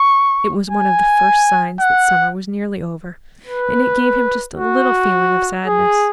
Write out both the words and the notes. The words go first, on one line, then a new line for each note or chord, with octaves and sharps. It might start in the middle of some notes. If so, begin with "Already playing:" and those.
It was one of the first signs that summer was nearly over, and it gave him just a little feeling of sadness.
Already playing: C#6
G#5
F#5
B4
F#4
G#4